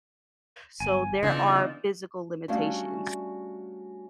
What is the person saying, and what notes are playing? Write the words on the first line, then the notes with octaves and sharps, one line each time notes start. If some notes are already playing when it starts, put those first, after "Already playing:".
so, there are physical limitations
G1 G#5
A#2 C#3 E3 B3 D4 D#4 F4
G3 A3 C#4 D4 F#4 F5